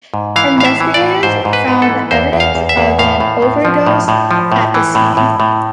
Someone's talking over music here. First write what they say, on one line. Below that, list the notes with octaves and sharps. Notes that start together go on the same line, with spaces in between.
Investigators found evidence of an overdose at the scene.
G#2
E3 F5
A2 F5
E5
E3
D5
A2
G#2 C5
G#2
B4
G#2
A4
E3
E2 C5
E2
F5
E2
E5
E2
A2 F5
A2
A2
F3
A2
A2
F3
A2
E3
A2
A2
A2